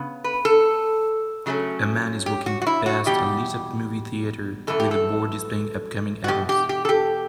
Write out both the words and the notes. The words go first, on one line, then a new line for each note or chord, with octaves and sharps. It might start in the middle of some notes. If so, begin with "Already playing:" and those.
A man is walking past a lit up movie theater, with a board displaying upcoming events.
Already playing: C#3 B3
B4
A4
C#3 F#3 A3 C#4
G4
F#4
F#4
E4
F#4
E2 B2 G3 G4
F#2 E3 A3 A4
G4
A4
F#4
E2 B2 G4
G4
G4
A4
G4